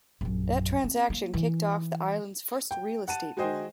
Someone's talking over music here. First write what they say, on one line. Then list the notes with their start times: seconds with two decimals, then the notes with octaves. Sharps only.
That transaction kicked off the island's first real estate boom.
0.21 A#1 F#2
0.84 C4
1.10 A#3
1.34 E3
2.71 G5
3.08 F#5 A5 D#7
3.37 G#3 F#4 G#4 C5 D#5 G5